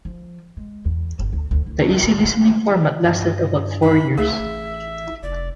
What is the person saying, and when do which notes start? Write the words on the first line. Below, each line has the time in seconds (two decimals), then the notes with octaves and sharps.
The easy listening format lasted about four years.
0.05 F3
0.57 G#3
0.85 E2
1.19 G1
1.33 D2
1.51 D2
1.66 D2
2.03 A1
2.24 A#3
3.04 G2 D#5
3.82 D#4 B5
4.18 C#2 A3 G#4 E5
4.40 A1
5.23 F1 D5